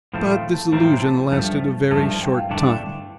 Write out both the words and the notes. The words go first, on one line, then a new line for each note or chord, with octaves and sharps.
But this illusion lasted a very short time.
A2 F3 A3 C4
F5
A5
A2 F3 A3 C4 A#5
A5
G2 F3 A3
G2 F3 A3 A5
A5
G5
F5
G2 D3 A3 D4